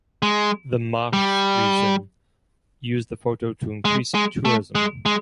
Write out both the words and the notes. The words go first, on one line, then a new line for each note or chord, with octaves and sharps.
The Marche region used the photo to increase tourism.
G#3
G3
G#3
G#3
A3
G#3
G#3